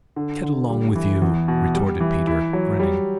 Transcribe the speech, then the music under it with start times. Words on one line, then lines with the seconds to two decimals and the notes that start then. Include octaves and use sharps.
"Get along with you!" retorted Peter, grinning.
0.16 D3
0.43 D3
0.69 G3
0.95 E3
1.22 E2
1.48 B2
1.75 G3
2.00 E3
2.27 E4
2.53 F#3
2.79 G3